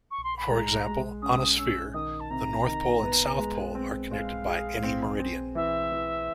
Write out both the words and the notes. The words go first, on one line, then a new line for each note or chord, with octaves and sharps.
For example, on a sphere, the north-pole and south-pole are connected by any meridian.
C#6
C6
B5
G#3 A#5
G#3
C#4 D#6
C#4 E6
D#3 D#6
A5
C3 A#5
D#3
B3
G#3
C4
G#3 F5
G#4
C4
C4
E3 E5
E3